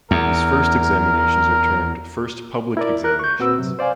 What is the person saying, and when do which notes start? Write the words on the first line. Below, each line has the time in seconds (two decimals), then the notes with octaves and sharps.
These first examinations are termed "First Public Examinations".
0.11 E2 A#4
2.77 E4 A#4 D5
3.04 A#4 F#6
3.19 C#6 G6
3.39 A#2 C4 F#4 B4 E6
3.58 G2 C3 F#3
3.79 C5 D5 F5 G#5